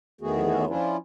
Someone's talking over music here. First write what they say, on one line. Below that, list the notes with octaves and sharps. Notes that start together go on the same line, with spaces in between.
you know,
E2 D#3 A3 B3 F#4 G#4
F3 C#4 D4 E4 F4